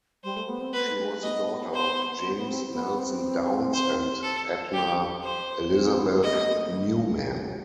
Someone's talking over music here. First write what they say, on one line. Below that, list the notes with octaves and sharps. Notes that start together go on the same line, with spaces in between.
She was the daughter of James Nelson Downs and Edna Elizabeth Newman.
G3 C5
A3
B3
C4
B3 B4
A3
G3
A3
B3 D#5
C5
B3
B3
C4
B3
C4
C5
A4
G4
C5
C4
C4
B3
B3
A3 D#5
B3
A3
B3
A3
B3
A3
B3
A3
E3
F#3